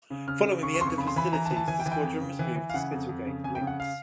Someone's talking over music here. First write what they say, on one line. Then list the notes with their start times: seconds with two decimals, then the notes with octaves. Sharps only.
Following the end of hostilities the squadron was moved to Spitalgate, Lincs.
0.10 C#3
0.28 C#3 F6
0.45 C#3
0.63 C#3 C#6
0.74 C#6
0.81 F2 C6
0.87 C#6
0.98 C#3 B5
1.07 C6
1.16 E3 B5
1.33 E3 A#5
1.46 A5
1.50 E3
1.57 A5
1.68 E3 G#5
1.80 G5
1.86 E3
1.92 G5
2.03 F2
2.21 C#3
2.39 E3
2.56 E3
2.70 F5
2.74 C#3 F#5
2.92 F2
3.09 F2
3.26 C#3
3.44 F2 G#5
3.55 G5
3.61 C#3
3.67 F#5
3.80 F5